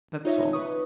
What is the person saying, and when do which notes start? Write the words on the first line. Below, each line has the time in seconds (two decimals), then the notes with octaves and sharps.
That's all.'
0.25 D#4 F4 C#5 D#5 E5
0.53 B4 C#6 D#6